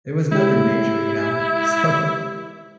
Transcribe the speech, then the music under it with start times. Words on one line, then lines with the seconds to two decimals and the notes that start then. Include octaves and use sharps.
it was nothing major, you know? So,
0.32 G#3 E4 G4